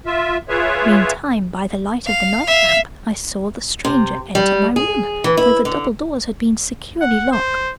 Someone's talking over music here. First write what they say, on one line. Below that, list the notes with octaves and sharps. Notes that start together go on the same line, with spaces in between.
Meantime, by the light of the night lamp, I saw the stranger enter my room, though the double doors had been securely locked.
F4 E5
F4 G#4 B4 C#5 E5
F5
E5 F5
C3
G3
G#4
E3
E4
D3
F#5
C5